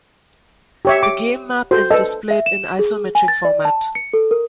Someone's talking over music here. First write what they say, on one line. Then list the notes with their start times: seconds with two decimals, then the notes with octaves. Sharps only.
The game map is displayed in isometric format.
0.85 G4 C#5 E5
1.03 D6
1.71 F#4 A4 C5
1.91 A4 B4 D5 D#5
2.31 E5
2.46 E7
2.79 G#4
3.15 G#5
3.28 A6
3.45 D5
3.65 A5
3.95 C#7
4.13 A4
4.31 A#4